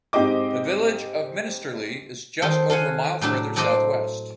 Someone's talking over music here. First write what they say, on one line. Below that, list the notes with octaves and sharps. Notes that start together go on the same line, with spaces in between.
The village of Minsterley is just over a mile further southwest.
G#2 C4 G4 C5 D#5 D6
D#3 A4 C5
A4 F5 F#5 G#5
A2 F#3 D4 A4
F#3 A4 C5 D5 D#5